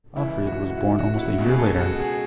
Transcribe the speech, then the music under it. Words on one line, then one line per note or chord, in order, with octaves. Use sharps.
Alfried was born almost a year later.
C#2 C#3 E3 E4
F#4
F#4
E4
F#4
F#4
E4
C#2 B2
G#4
A4
F#4
G#4